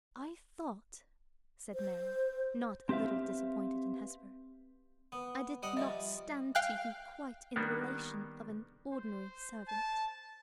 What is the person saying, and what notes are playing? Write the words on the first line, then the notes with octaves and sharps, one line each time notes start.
"I thought," said Mary, not a little disappointed in Hesper, "I did not stand to you quite in the relation of an ordinary servant."
C5
C4 G4 B4 E5 F5
B3
G3 D#5 F#5
F3 G3 D#5 E5
F5 G5 F#6
D#3 G3 A#3 B3 D4
C5
A5